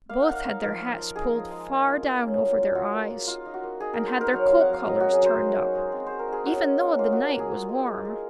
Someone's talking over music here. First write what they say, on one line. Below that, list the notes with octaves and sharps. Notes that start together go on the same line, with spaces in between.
Both had their hats pulled far down over their eyes and had their coat collars turned up, even though the night was warm.
A#3 F5
F#5
D#4 F5
D#4
F3 A#4
F4
F3
D#4 G#4
F3
G#3
A#3
F4
F4
C#4
F#3
F4
F4 F#4
A#3
F4
D#4 F4
D#4
F#4
A#3
D#4 G#4
D#4 A#4
C5
D#4 A#4
F#3 C#5
C4 F5
F#5
F#3 F5
F#3 D#5
C#4 F#4
G#4
F#3 C5
D#4
D#4
G#3
C4
G#3 C5
A#4
D#4 G#4
C#4 F#4
G#3
C#4
A#3 F4
A#3 F#4
A#4
A#3 G#4
F4
G#3
G#3
G#3